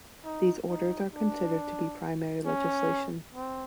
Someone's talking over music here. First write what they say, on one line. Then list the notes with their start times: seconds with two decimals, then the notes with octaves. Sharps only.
These orders are considered to be primary legislation.
0.25 D#4
0.68 D#4
1.13 D4
2.46 C#4
3.35 C4